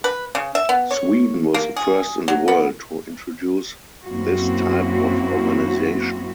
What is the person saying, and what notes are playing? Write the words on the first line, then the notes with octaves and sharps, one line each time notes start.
Sweden was the first in the world to introduce this type of organisation.
B4
C#3
E5
B3
C#5
A#3
G#4
F#3
B3
F#2 A#3 C4 E4 F#4